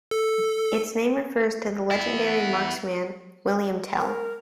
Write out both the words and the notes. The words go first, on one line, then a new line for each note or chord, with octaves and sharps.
Its name refers to legendary marksman William Tell.
A4
B3 E4
F#5
A#4